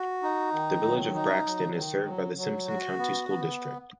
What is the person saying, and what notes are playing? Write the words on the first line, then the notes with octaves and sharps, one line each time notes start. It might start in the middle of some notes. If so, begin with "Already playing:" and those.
The Village of Braxton is served by the Simpson County School District.
Already playing: F#4
D#4
D#3
F#3
D#4
F#3
D#3
F#3
F#3
F#4
B3
B3